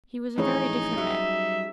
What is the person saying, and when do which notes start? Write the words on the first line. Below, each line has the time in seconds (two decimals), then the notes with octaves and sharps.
He was a very different man.
0.38 F2 A2 E3 C#4 D#4 G#4 C#5
0.98 F#3 G3 E5